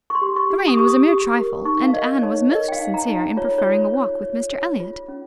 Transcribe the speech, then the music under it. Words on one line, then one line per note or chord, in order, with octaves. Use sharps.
The rain was a mere trifle, and Anne was most sincere in preferring a walk with Mr Elliot.
C#6
C6
G4
C#6
G4
D#6
G4 C#6
D#6
G4
A#4
D#4 C#6
F5
A#4 D#5
D#4 C#5
A#4 D#5
G5
F5
D#4
A#5
D#4
F4 C#5
C#5
F4
C#5
C#5
C#5
F4
C#4